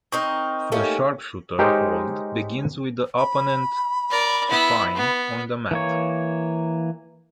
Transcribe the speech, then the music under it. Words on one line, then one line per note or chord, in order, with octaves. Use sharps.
The Sharpshooter hold begins with the opponent supine on the mat.
C4 D#4 A#4 C#6
G3 A3 A#3 C#4 D#4
G#3 D#4 G4 A#4 C5 C#5
B5
A#4 D5
B3 E4
B3
E3 A#3 C#5